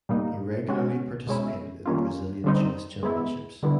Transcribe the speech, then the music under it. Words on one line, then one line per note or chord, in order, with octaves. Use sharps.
He regularly participated in Brazilian Chess Championships.
A#2 G3 A#3 D#4
G#3 C#4 F#4
B2 G#3 C#4 E4
D#3 G3 A#3 C#4 F4
D3 G3 C4 D#4
G#3 B3 E4
D3 G3 B3 E4